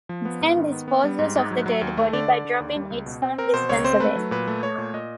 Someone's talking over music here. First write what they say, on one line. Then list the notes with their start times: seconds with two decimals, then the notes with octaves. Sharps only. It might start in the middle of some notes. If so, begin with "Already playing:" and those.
Jane disposes of the dead body by dropping it some distance away.
0.09 F3
0.25 B3
0.41 G#2
0.57 D#3
0.72 B3
0.88 B3
1.04 G3
1.19 G#2
1.35 G#2
1.51 F#3
1.66 F#3
1.82 D#2
1.97 A3
2.13 D3 D5
2.28 D3
2.45 D3
2.60 D#2
2.76 G3
2.91 C#2
3.06 B2
3.22 C4
3.38 C4 A#4
3.54 B2 C5
3.69 C#2 C#5
3.84 C4 C5
4.00 A3 B4
4.16 F#3
4.31 A#2 B4
4.47 A3
4.63 A3 C#5
4.78 A#2
4.94 A#2 D#5